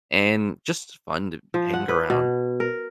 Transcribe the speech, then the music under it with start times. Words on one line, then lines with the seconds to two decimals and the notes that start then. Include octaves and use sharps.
and just fun to hang around.
1.54 F3
1.74 F#5
1.89 B4
2.10 B2
2.60 A#4